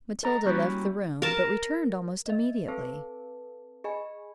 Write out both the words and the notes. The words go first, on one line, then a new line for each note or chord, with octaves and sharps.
Matilda left the room, but returned almost immediately.
A4 D#5 A#5
G3 A#3 C#4 E4 F#4 G4
A#4 A5
D#5 E5
C4 A4 B4 A5
G#4 D#5 G#5 B5